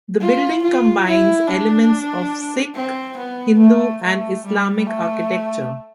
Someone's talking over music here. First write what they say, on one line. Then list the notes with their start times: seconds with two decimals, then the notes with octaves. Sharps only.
The building combines elements of Sikh, Hindu, and Islamic architecture.
0.20 F4
0.62 F4
1.06 E4
1.47 D4
2.75 C4
3.17 B3
3.59 A3
4.02 A3
4.45 G3
4.87 A3